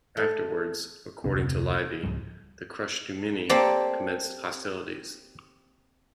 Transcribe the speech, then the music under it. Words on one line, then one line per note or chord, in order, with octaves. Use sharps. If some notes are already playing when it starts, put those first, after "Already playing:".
Afterwards, according to Livy, the Crustumini commenced hostilities.
A3
F1 D2 C3 C4
C#2 G#2 F3 G3
A#3 C4 G4 A4 C5 D5